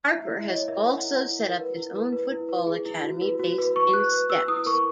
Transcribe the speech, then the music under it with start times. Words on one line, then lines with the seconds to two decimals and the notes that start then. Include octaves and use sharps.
Harper has also set up his own football academy based in Stepps.
0.13 E4 E5
0.32 E4 E5
0.50 C#5 D#5
0.68 A#4 E5
0.86 E4 F#5
1.04 E4
1.23 E4
1.40 A#4
1.59 B4
1.77 E4
1.95 B4
2.12 B4
2.31 E4
2.49 B4
2.67 G#4
2.85 E4
3.04 F#4
3.21 B4
3.39 F#4
3.58 B4
3.76 B4 C#6
3.93 B4 F#6
4.12 B4
4.30 B4 E6
4.48 E4 D#6
4.66 A#4 C#6